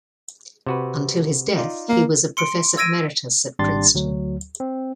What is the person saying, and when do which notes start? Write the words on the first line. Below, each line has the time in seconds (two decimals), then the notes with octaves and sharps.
Until his death, he was a professor emeritus at Princeton.
0.67 C3 F#4 B4
1.56 D#4 F4 D5
1.89 A#3
2.37 C6 C#7 D7
2.77 E6 G#6 A#6 D7 D#7
3.59 G#1 G3 D4 G4 C6 A6
3.95 D2 F#3
4.60 C4